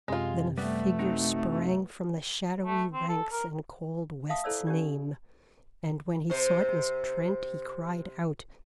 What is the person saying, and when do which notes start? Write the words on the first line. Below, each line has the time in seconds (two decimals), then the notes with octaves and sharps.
Then a figure sprang from the shadowy ranks and called West's name, and when he saw it was Trent he cried out.
0.08 F#2 C3 G#3 F4
0.57 G3 A3 B3
0.99 C4 D#4 F#4
2.65 A3
2.93 C4
3.09 A4
3.32 A#4
4.29 E5 F5 A5 D#6
4.44 E4 A4 C5 D5 E6
4.67 C#4 D#4 G4 D5
6.30 C3 C5